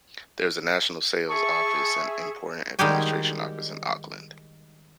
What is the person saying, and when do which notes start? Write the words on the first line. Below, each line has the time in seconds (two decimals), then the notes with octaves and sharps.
There is a national sales office and import administration office in Auckland.
1.30 G#4 E5 A5 C#6
2.79 D#3 G3 G#3 F#4 G4 G#5